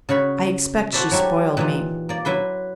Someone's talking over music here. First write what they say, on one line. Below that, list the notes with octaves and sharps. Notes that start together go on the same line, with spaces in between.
I expect she spoiled me.
C#3 F#4 C#5 B5
E4 F#4 A4 C5 D5 E5
F#3 A3 E4 G4
A#2 E3 D#4
A#3 D5
F#3 E4 B4 C6